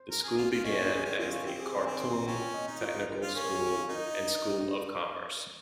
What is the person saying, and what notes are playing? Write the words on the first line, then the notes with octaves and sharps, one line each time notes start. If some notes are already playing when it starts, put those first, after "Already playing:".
The school began as the Khartoum Technical School and School of Commerce.
Already playing: C5
A#4
G#4
F4
F4
C#4 D#5
C5
A#4
G#4
C#4 G4
C4 F4
C#4 F4
C4 G4
G#4
C5
C4 G#5
C6
A#5
C#4 G5
G5
D#5
D#4 D#5
F4
G4
A#4
F4 C5
C#4 A#4
G#4
G4
F4
D#4 A#4